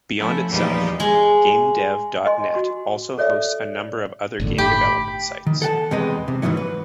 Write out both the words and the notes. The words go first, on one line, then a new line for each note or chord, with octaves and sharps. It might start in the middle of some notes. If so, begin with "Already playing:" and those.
Beyond itself, GameDev dot net also hosts a number of other game development sites.
F3 A3 C#4 E4
E2 A#2 F3 G3 B3 D#4
G#3
D#5 G#5 C6
F#4 C6
A4 C#5 D5 E5
G1 A2 D3
G4 B5
D#3
A4 F#5 G5 A5
E2 C3 G#3 B4 D#5
C3
G#2 B2 D#3 E3 F#3
B4